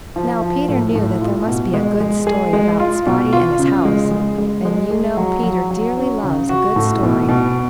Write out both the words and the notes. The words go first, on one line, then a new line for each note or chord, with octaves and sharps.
Now Peter knew that there must be a good story about Spotty and his house, and you know Peter dearly loves a good story.
F3
F3
A2
A2
F4
B2
G#3
G#3
G#4
G#3
F4
B2
F4
C#3
G#3
G#3
G#3
G#3
G#4
F#3
F#3
F#3
C#4
C#3
F#4
A2
B2
B2